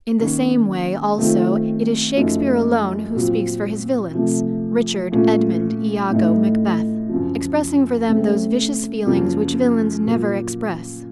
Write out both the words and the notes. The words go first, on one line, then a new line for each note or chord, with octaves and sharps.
In the same way, also, it is Shakespeare alone who speaks for his villains: Richard, Edmund, Iago, Macbeth, expressing for them those vicious feelings which villains never express.
D#3 A#3 C#4
D#3 A3 C4 F4
F#2 F3 A3 D#4
A#2 F#3 C4 F4
C3 F3 A3
A#2 A3 C#4 F4
A2 A3 D#4
F#2 C#3 F3
C#3 A3 C4
F#2 C#3 F3 A#3
A#2 F#3 A#3